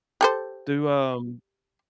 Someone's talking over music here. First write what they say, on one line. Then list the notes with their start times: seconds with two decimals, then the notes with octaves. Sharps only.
Do, um
0.21 G4 A4 C5